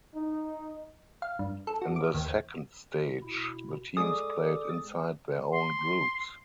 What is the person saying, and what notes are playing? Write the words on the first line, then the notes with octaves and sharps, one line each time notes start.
In the second stage, the teams played inside their own groups.
D#4
F5
G2
A4
F#4
D6
D#2
B2 E4
G#3 G#4 A4 D5 D6 D#6
C6